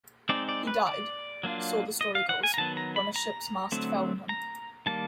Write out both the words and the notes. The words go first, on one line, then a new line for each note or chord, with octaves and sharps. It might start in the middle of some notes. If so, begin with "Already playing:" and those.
He died, so the story goes, when a ship's mast fell on him.
G#3 C4 D#4 D5
D5
B4
D5
F#3 A#3 D4 F4
D#5
F5
F#5
G#5
A#5
D#3 F#3 B3 A5
A#5
B5
A#5
D3 F#3 A3 C4
A#5
D#3 G3 A#3 A5